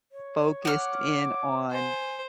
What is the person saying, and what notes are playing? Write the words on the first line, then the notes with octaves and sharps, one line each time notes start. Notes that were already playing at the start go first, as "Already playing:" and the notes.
focused in on
C#5
F#5 D6 F6
C5 G#5